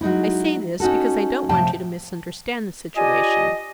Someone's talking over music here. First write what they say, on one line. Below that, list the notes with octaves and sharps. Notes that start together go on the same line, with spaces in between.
I say this, because I don't want you to misunderstand the situation.
F#3 G#3 D#4 E4
C#4 D#4 F#4 A4
A2 C3 F3 F5 G5 A5
D4 F4 G4 D#5 G#5